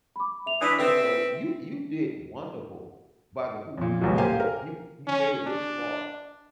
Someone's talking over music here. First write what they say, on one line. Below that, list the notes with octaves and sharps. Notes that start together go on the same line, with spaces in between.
and so you you did wonderful by the who you are. You've you've made it this far,
B5 D6
E5 F7
E3 D4 D#6 E6 B6
C4 B4 E5
F2 A#2
D#1 C#2 F#2 B2
A#3 G4 C5 F5 G5 G#5
A#4
C#4
D4